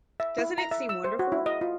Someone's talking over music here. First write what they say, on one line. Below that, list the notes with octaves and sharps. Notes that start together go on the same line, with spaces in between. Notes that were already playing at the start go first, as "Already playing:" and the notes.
Doesn’t it seem wonderful?
E5
E4
A#5
E5
E6
C5
F#4
E4
D#5
F4